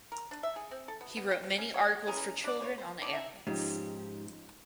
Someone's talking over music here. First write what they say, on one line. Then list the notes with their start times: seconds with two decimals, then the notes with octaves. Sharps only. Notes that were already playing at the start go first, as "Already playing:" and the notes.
He wrote many articles for children on animals.
0.12 A#4
0.31 D4
0.43 E5
0.56 G#4
0.71 C4
0.88 A4
1.01 B3
1.17 B3
1.31 G5
1.44 C4
1.58 C#4
1.74 C#5
2.07 E3 C#4 G#4 A#4
2.44 D4 D5
2.61 C#3 C#5
2.78 C5
3.02 D#3 C#4 D4 D5
3.13 D#4 E5
3.47 G#2 F3 C#4 D#4 G4